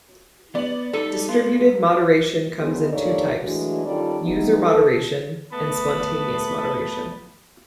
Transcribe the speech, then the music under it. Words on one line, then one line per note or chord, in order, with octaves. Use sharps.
Distributed moderation comes in two types: user moderation and spontaneous moderation.
B3 D5 F#7
G3 D#4 A4
B3 F4
D2 B3 E4 G#4 C5 D#5
G2 A#3 D#4 A4 C#5 D5
E3 F#3 G#3 A3 D4
D#3 G3 C#4 F4 A4 D5
E3 G#3 B3 D#4
A4
A3 B3 A5 B5